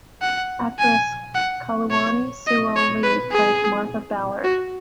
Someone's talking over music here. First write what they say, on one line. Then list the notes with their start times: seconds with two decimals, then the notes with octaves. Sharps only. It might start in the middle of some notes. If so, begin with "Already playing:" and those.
Actress Kaluani Sewell Lee played Martha Ballard.
0.22 F#5
0.79 G#5
1.35 F#5
1.91 C#5
2.47 D#5
2.76 C#5
3.03 B4
3.32 G#4
4.44 F#4